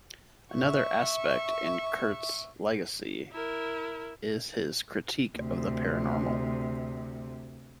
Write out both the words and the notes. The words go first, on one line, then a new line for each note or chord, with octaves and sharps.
Another aspect in Kurtz's legacy is his critique of the paranormal.
E5 C#6
E4 A#4
D2 C3